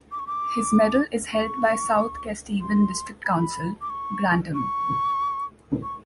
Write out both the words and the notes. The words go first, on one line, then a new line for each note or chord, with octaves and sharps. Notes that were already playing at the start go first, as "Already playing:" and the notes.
His medal is held by South Kesteven District Council, Grantham.
D6
C#6
D6
C#6
C6
B5
D6
C#6
C#6
C#6